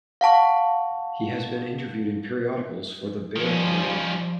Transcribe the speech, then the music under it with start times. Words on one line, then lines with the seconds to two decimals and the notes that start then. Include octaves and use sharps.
He has been interviewed in periodicals for the "Bear" community.
0.21 F5 F#5 A5 C#6
3.36 D#3 F3 G3 C#4